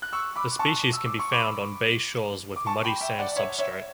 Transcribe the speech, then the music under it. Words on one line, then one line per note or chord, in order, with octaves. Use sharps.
The species can be found on bay shores with muddy sand substrate.
F#6
C#6 E6
B5 D6
A5 C#6
E6
D6
C#6
B5 D6
D6
A5 C#6
G5 B5
E5 G5
D5 F#5
C#5 E5
C#5 E5